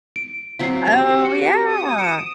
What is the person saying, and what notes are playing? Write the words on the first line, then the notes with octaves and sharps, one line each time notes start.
Oh, yeah.
D7
F#3 C4 F4 B6 C7
C4 F#4 G4
C#7
D#6
C#7 D7 E7